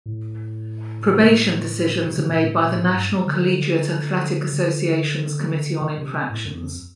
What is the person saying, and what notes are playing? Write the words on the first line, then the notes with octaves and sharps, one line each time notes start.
Probation decisions are made by the National Collegiate Athletic Association's Committee on Infractions.
A2
C3
D3
A#2
A2
A#2
A2
G2
D3
D3
D#3
C3
A2
F2